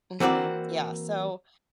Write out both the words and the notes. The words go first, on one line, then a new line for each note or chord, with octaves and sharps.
Mhm, yeah, so
E3 A#3 C4 F#4 D5